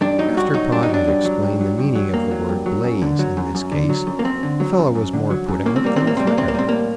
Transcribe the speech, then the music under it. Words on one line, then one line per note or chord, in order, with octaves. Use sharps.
After Pod had explained the meaning of the word "blaze" in this case, the fellow was more put out than the fire.
G2 D4
F#3 D#4
G2 F#4
F#3 D#4
G2 D4
D#4
F#3 D4
G2
F#3
G2
F#3
G2
F#3
G2 A#3
F#3
G2
F#3
F#2
D3
F#3
F#2
F#2
D3
F#3
F#2
A#3
F#2 C4
D3
F#3
F#2
F#2
D3
F#3
F#2
A2 A#3
C4
G3 A#3
A2 C4
A#3
G3 C4
A#3
A2 C4
A#3
G3 C4
A2 A#3